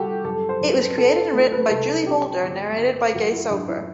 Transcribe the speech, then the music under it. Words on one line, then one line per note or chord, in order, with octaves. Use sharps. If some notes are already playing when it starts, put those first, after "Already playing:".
It was created and written by Julie Holder and narrated by Gay Soper.
Already playing: G3 F#4 G4 A4
F#2 A4
C5
F#2
B4
F#1 A4
A3 A4
B4
C2 A4
C4 G4
G1
G1
F#2 F#4
E4
F#2 D4
E4